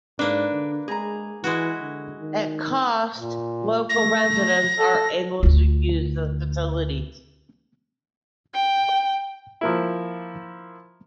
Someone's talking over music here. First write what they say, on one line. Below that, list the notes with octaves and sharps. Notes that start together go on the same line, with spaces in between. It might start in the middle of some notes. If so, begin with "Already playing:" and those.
At a cost, local residents are also able to use the facilities.
G#2 A#3 D4 B4
D3
G#3 G#4 A#5
E3 G#3 E4 F#4
D3
D#3
A#2
A3 A#6
A4
D2 F4
G5
F3 A#3 E4